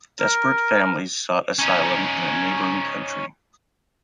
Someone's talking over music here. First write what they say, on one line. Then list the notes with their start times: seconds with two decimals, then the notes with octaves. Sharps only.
Desperate families sought asylum in a neighboring country.
0.20 A#4
1.59 C#4 D#4